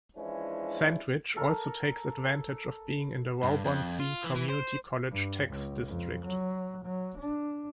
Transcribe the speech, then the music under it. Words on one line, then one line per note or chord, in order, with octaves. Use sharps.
Sandwich also takes advantage of being in the Waubonsee Community College tax district.
E3 F3 G#3 C#4 D4 E4
A4 A#4
G2
F2
F4
E3
E3
C5
G2
C#2
F2
F#3
F#3
D4